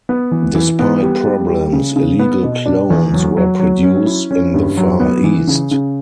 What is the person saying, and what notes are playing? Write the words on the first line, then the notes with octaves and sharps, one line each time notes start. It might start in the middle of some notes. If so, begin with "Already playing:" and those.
Despite problems, illegal clones were produced in the far-east.
B3
E3
E3
B3
G3
G3
G3
C#3
C#3
B3
B2
D4
E2
F#3
F#3
F#3
C#4
E4
C#4
G2
F#3
B3
E3
C#3
C#3